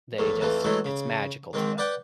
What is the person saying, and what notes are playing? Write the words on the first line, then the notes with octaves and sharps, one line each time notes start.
they just it's magical to them,
A#1 E2 A2
F2 E3 F3 A3
E3 F#3 G#3 A3 E4
C#3
G#2 D#3 C4
B4 D5 F#5 G5